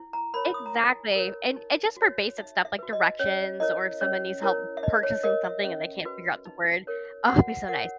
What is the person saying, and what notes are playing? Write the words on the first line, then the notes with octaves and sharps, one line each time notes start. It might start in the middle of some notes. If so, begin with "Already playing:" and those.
Exactly. And and just for basic stuff, like directions or if someone needs help purchasing something and they can't figure out the word oh, it'd be so nice.
Already playing: E4
A#5
A#4 C#5 B5
D#6
A#5
D#4 G#5
A#4 C#5
D#4
F#4 C#5
D#4 E5
E5
F#4 B4
D#5
C#4 C#5
E4 A#4 C#5 D#5
C#4 C#5
E4 A#4 C#5
E5
D#4 D#5
C#5
A#4 C#5 D#5
E5
C#4 E5
F#4 B4
D#4
A#4 C#5
F#4 F#5
F#5
A#4 C#5 F#5